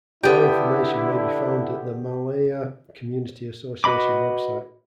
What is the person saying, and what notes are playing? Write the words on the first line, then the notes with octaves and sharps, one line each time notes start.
More information may be found at the Maalaea Community Association web site.
D3 B3 E4 G4 G5
F#4 B4 D#5 B5 D6